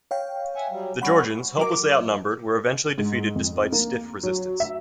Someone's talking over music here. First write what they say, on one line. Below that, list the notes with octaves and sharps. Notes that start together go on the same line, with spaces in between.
The Georgians, hopelessly outnumbered, were eventually defeated despite stiff resistance.
C#5 F5 G5
E5 F#5 G#5
F#3 G3
G3 C#4 F#5 B5 C#6
F#3 A#4 D6
G#2
F2
A#3
F#3
E5